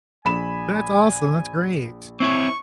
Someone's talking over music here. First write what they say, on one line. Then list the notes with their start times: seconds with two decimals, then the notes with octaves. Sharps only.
That's awesome. That's great.
0.25 A#1 G#5 B5 E7
2.20 C4 E4 C#5 C#6